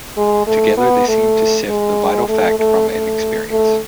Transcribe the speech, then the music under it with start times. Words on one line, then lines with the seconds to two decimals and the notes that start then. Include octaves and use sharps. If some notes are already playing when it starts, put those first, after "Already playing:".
Together they seemed to sift the vital fact from an experience.
0.17 G#3
0.47 A3
0.77 B3
1.08 A3
1.69 G#3
2.29 A3
2.59 A3
2.89 A3
3.51 A3